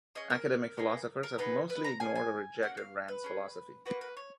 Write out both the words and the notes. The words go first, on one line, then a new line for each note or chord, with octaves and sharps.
Academic philosophers have mostly ignored or rejected Rand's philosophy.
C#4 G#4 D#5
A#4
B3 D#4 G#4
A#4
B3 D#4 G#4 B4
B4
A#5
A#3 C#4 G#4 G#5
G#5
A#3 C#4 F#4 F#5
F5
B4
C#4 G#4
A#3 D#4 F#4 B4
B4
C#5